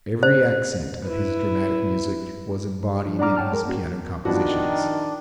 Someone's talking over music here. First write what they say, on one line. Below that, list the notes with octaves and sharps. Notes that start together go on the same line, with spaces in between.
Every accent of his dramatic music was embodied in his piano compositions.
C5
E4 B4
F3
D4 D5 F#5 A#5 D6 F6
C#5 F#5 G5 A5 F6
G#3 A#4
A#3 C#4 F#4
D#3 F3 B3 D4 F#4